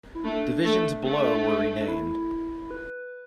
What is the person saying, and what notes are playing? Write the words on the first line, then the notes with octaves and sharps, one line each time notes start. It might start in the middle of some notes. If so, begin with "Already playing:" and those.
Divisions below were renamed.
E4
A3 D4
A3
A3
D4
E4
B4